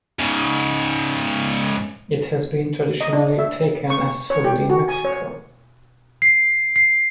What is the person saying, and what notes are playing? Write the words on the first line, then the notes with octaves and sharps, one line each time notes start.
It has been traditionally taken as food in Mexico.
G#2 C#3
D#5
D4
E5
C#6
C#5
G4
F#4
G#5
C#5
C7
C7